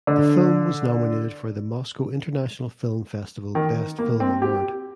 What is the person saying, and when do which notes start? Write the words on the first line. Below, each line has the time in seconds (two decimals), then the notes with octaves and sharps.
The film was nominated for the Moscow International Film Festival best film award.
0.07 D3
3.55 D#3
3.99 A#3
4.20 C4
4.42 G4